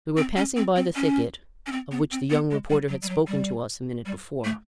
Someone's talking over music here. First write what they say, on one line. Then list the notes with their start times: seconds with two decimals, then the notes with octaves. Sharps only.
We were passing by the thicket, of which the young reporter had spoken to us a minute before.
0.17 C4
0.36 C#4
0.57 C4
0.76 C4
0.95 C#4
1.66 C#4
1.72 C4
1.91 B3
2.12 C4
2.30 B3
2.51 G#3
2.70 G3
2.89 F#3
3.02 G3
3.09 F#3
3.27 G3
4.05 G3
4.44 A3